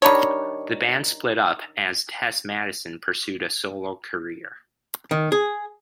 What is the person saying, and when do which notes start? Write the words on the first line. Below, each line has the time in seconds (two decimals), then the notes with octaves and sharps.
The band split up as Tess Mattisson pursued a solo career.
0.02 D#3 G3 D4 C#5
5.11 D#3
5.32 G#4